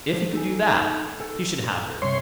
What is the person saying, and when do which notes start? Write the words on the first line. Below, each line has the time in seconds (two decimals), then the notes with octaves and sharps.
If he could do that, he should have her.
0.13 F3 G4 C5
0.33 D#4 A4 G#5
1.20 A4 G#5
2.02 G2 C3 C#5 C6